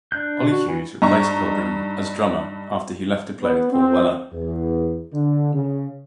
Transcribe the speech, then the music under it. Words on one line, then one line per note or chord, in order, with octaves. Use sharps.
Oli Hughes replaced Pilgrim as drummer after he left to play with Paul Weller.
D4 F#6 G6
B2
F#4
E3
G2 D#4 A#5 C#6
B3
C4
E2
D3
C#3